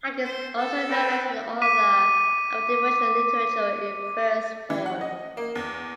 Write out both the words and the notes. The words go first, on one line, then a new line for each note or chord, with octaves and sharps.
Hagen is also known as an author of devotional literature in verse form.
C5
A4
C4 B4
D6 B6 D#7
E3
F#5
D#5
A#3
E2